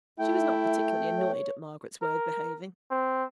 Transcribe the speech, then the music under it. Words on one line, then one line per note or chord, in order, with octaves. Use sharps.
She was not particularly annoyed at Margaret's way of behaving.
A3 E4 G5
C#5
A#4
C4